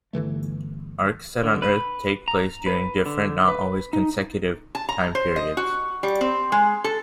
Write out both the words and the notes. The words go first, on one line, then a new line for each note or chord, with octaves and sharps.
Arcs set on Earth take place during different, not always consecutive, time periods.
G1 D3 E3 A3
D3
B4
A#5
B4
D3
B4
D#4
A5
A#5
C5
D#5
F#4
G3
C4
G#3
A4